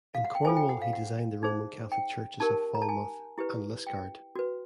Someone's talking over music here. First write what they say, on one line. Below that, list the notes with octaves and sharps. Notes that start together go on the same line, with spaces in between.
In Cornwall he designed the Roman Catholic churches of Falmouth and Liskeard.
F5
F#5
G5
F4 A4 C5 G#5
G5
F#5
F5
F#5
D#4 G#4 C5
G5
D#4 G4 A#4 A5
A#5
A5
G#5
E4 G4 B4
G5
F#4 B4